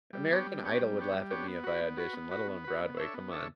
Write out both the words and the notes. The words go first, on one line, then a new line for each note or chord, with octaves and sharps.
American Idol would laugh at me if I audition, let alone Broadway, come on.
G3
B3 D4 G4 C#5
G3
B3 D4 G4 C#5
G3
B3 D4 G4 C#5
G3
B3 D4 G4 C#5
B3
F#4 B4
B3
F#4 B4
B3
F#4 B4
B3
F#4 B4
B3
D4 A4 C#5 E5
B3
D4 A4 C#5 E5